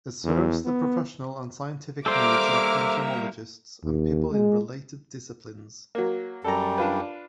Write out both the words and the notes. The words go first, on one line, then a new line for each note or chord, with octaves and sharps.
It serves the professional and scientific needs of entomologists and people in related disciplines.
E2
B3
G3 A#3 A4 C5 E5 A#5 D6 F6
D#2
G#3
F#3 A#3
F#2 G3 A4 A#5
D4 F4 B4